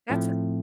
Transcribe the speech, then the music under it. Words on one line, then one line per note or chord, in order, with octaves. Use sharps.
that's a
A2 F3 A3 C4